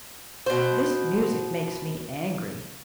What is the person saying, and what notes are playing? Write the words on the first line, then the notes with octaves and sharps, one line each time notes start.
This music makes me angry.
B2 C5